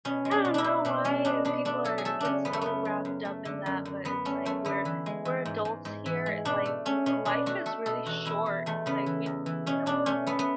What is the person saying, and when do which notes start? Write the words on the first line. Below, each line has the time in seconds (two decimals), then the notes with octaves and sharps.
I don't know why people are get so wrapped up in that, but it's like, we're we're adults here and, like, life is really short. It's like, we we don't have
0.05 B2 C#4
0.25 G#3
0.31 D4
0.45 B2
0.54 D4 E4
0.64 B2
0.85 B2 D4
1.04 G#3 C#4
1.25 B2 D4
1.45 B2 D4
1.65 A3 D4
1.84 F#3 A4
1.98 G#4
2.05 A3 A4
2.20 C#3 C#4 D4
2.45 F#2 B3
2.53 A3
2.61 C#3 B3
2.85 F#3
3.05 F#2
3.25 A3
3.45 D3
3.66 F#2
3.85 F#2
4.05 F#2 B3
4.25 A3 C#4
4.46 F#2 A3
4.65 D3 B3
4.85 E3
5.06 G#3
5.25 E3
5.45 G#2
5.65 G#2
5.85 G#2
6.06 E3
6.26 G#3
6.45 B2 D4
6.65 A3
6.86 A3 C#4
7.06 B2 C#4
7.25 B2 D4
7.46 A3 F#4
7.66 A3 A4
7.86 B2 A4
8.06 E2 F#4
8.25 E2 E4
8.46 E3
8.66 E2 A3
8.86 C#3 B3
9.06 E3
9.26 E2
9.46 E3
9.66 B2 C#4
9.86 B2 D4
10.06 A3 C#4
10.27 A3 B3
10.39 B3